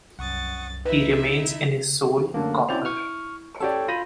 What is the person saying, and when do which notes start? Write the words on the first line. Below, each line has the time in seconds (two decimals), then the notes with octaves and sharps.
He remains in his soul a copper.
0.19 C2 F#2 F#5 C#6 D#6 A6
0.85 D#4 E4 B4 E5
2.34 F#2 D3 A3 A#3
2.69 C4 C#4 E4 D5 G6 F7
2.85 C#6 F6
3.60 C#4 G4 A4 C#5 D5 G5
3.88 F4 B5 G6 A#6 D#7